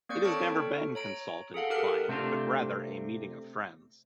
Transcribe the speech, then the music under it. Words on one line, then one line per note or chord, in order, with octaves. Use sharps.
It has never been consultant-client, but rather a meeting of friends.
A#3 C4 D5 G6 C#7
A4 C#5 A5 C#6 F6 A6
A4
C#5 A#5 D7
G#4 A4 F5 F#5
G4 A4 A#4 F#5 F6 F#6
C3 A3 C4 D4 F4